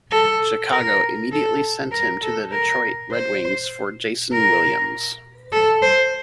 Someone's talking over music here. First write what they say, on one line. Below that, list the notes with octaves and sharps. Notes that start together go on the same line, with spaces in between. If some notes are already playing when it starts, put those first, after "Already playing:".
Chicago immediately sent him to the Detroit Red Wings for Jason Williams.
A4
A#4
A4
A#4
A4
A#4
C5
A#4
A4
C5